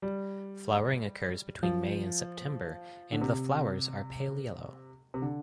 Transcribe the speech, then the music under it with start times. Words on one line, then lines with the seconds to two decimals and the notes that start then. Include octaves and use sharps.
Flowering occurs between May and September and the flowers are pale yellow.
0.02 G3
1.63 F3
3.12 D3
3.21 C3
5.14 C3
5.22 D3